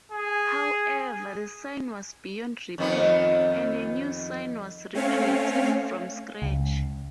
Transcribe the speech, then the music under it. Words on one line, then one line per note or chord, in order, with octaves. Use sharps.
However, the sign was beyond repair and a new sign was recreated from scratch.
G#4
F2 D#3 B3
A3 C4 C#4 C#5 F5
C#2